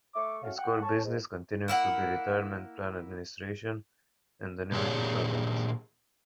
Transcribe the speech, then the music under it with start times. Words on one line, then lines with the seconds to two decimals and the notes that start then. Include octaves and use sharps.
Its core business continues to be retirement plan administration and annuity products.
0.14 A3 E5 C#6 D6
0.43 A3 C#4 F#4 C#5 F5
0.58 F#5 G5
0.83 C#4 A5 C#6
1.04 G#2
1.68 A#3 E4 F#4 F#5
4.72 A#2 D4 G4 G#4 C#5